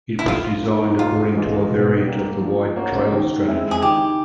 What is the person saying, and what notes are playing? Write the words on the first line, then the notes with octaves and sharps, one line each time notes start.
It is designed according to a variant of the wide-trail strategy.
E4
F3 F4
A#3 D#4
G#2 F4
E3 G#3
B2
G3 A#3
F3
A#3 C#4 F#4
D#3
G#3 C4 E4
G#4
D#3 G4